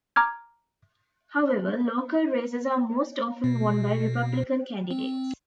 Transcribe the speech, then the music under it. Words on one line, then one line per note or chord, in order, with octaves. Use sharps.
However, local races are most often won by Republican candidates.
A#5 D6 F6 G#6
B2
C4